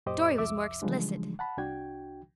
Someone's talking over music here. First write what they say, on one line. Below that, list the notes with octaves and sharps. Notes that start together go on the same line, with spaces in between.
Dorry was more explicit.
F#2 A#2 G4 C5 D#5 D6
C2 F2 E5 D6 E6
C#3 E3 F3 G3 G#3 D4
F#5 A5 B5
C2 D4 F#4 G5 G#6